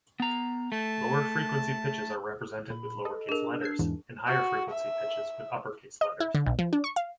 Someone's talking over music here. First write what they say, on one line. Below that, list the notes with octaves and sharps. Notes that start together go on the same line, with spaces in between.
Lower-frequency pitches are represented with lowercase letters and higher-frequency pitches with uppercase letters.
B3 A#5
A3 A5
A#2 B5
A4 D#5
D4 G#4 A#4
E6 G#6 C7
E2 G#2 E3
F#4
E5
D#5
E4
D3
B1
F3
D4
C#6
F5